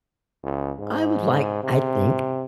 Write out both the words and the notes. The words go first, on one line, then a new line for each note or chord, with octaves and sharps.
I would like I think
C#2
G#2
C3